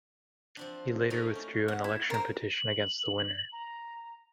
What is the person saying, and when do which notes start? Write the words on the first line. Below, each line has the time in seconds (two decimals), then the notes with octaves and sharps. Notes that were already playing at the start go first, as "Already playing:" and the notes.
He later withdrew an election petition against the winner.
0.57 F3 C4 D4
1.10 A3 A#3 D#4
1.35 C#4
1.68 F#5
1.84 E4
2.10 A#4 C5 A#5
2.50 F#7
3.53 A#5